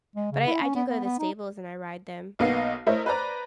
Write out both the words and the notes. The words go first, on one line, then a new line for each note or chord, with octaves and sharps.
But I I do go to the stables and I ride them
G#3
C#3
E4
C#4
B3
B3
B3
D#4
B1 A#3 B3 D#4 F5 C7
A3 E4 A#4 C5 C#5 D#5
B4 C5 D5 A#5